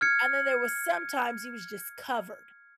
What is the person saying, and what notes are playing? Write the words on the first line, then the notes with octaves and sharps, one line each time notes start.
And then there was sometimes he was just covered,
F6 G#6 C#7